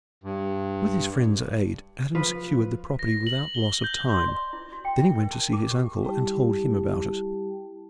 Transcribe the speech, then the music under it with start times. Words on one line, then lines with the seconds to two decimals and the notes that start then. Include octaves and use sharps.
With his friend's aid, Adam secured the property without loss of time. Then he went to see his uncle, and told him about it.
0.24 G2
2.15 F3 B4
2.99 A#6
3.27 F#7
3.55 G7
3.84 G6
4.14 C6
4.28 D5
4.53 E4
4.72 F#4
4.85 G5
4.99 E4
5.20 A#4
5.33 A5
5.53 D6
5.71 G4
6.03 G3 E4 G4 G5 A5